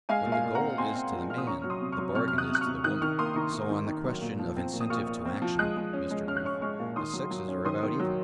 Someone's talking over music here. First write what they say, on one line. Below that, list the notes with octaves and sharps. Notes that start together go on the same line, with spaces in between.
What the goal is to the man the bargain is to the woman, so on the question of incentive to action, Mr. Brief, the sexes are about even.
G#3 F5 G#5
A#2
F5 G#5
A#2
F#5 A#5
C4
C4 G#5 C6
C4
F3
A#2 F6
D#6
C#4 A#5 C#6
F#3 F6
C6 D#6
C3
C#6 F6
F#3
C3 C#6 F6
C3 F6
D#6 F#6
C3
F#6
C#6 F6
C3
D#3 D#6 F#6
D#3 C#6 F6
A#3 C6 D#6
D#3 A#5 C#6
D#3
D#3
D#3
F#3
A#2
F3
C4
A#2
D#6
A#2 C#6 F6
A#2
C4
F3
G#3 D#6 F#6
G#3
C#4
G#3
C#4 F6
F#6
C#4 C#6 F6
G#3 C#6 F6
A#2
D#3 C6 D#6
F#3
F#3
C#4
D#3 C6 D#6
D#3
F#3